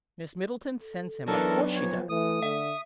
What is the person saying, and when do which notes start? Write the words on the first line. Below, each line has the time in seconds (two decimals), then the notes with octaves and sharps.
"Miss Middleton sends him; of course she does."
0.81 A4
1.28 E3 F#3 B3 D4 A4 A#4
1.76 F3 C#5
2.09 E3 A3 D#6
2.43 D3 E5